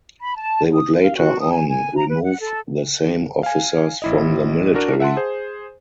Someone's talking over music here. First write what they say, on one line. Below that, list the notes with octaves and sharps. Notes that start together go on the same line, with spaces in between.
They would later on remove the same officers from the military.
B5
A5
D#6
F5
F#4
D#6
G#5
G#5
A#5
B4
F#5
A4
F5 G#5
A1 E4 D#5
D4 F#4 A#4
E5 F#5 A5 C6
G#4 C5